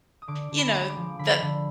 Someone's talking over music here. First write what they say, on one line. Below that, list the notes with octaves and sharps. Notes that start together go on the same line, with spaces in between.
you know, that
D#6
D3 D6
D3
B5
G#3
D6
F3
D3 B5
D3